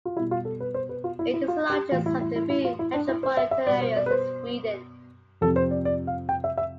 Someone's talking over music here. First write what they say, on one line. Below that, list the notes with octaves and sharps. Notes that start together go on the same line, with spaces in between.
It is the largest of the three metropolitan areas in Sweden.
F4
B2 G3 E4
F4
A4
B4
C5
B4
F4
E4
E4
F4
G4
A2 E3 G3 F4
E4
E4
E4
E4
F4
E4
D4
E4
C5
E5
E5
B2 G3 D5
C5
D5
B4
C5
F2 C3 F3 A4
C5
D5
D5
F5
G5
E5
E5